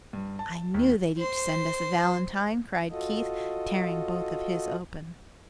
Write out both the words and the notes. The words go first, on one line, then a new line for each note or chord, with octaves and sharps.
"I knew they'd each send us a valentine," cried Keith, tearing both of his open.
G2
A5
D#2
C5 C6
F4 F#4 A4 D#5